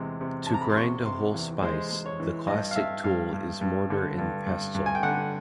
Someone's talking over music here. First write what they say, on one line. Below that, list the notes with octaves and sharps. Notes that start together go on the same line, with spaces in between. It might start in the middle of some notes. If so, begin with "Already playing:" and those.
To grind a whole spice, the classic tool is mortar and pestle.
Already playing: E2 C3 G#3
C3
A5
C3 A#5
B5
C6
C3 C#6
C3 C6
E2
G#3 C5
G#3
C#5
E3
G2 D#5
F5
G2 E5
G2 F5
G2
G2
D3
G2
G2
G2
G#5
G5
D3 F#5